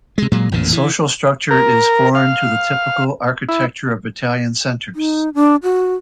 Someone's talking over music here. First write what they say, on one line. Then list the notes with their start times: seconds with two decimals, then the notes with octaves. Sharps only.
The social structure is foreign to the typical architecture of Italian centers.
0.18 C3 G#3
0.32 A#2 F#3 G#3
0.52 A1 F2 A#2 D3
0.73 E3
1.51 A#4
2.15 F5
3.49 E4
4.94 D#4
5.35 D4
5.63 F#4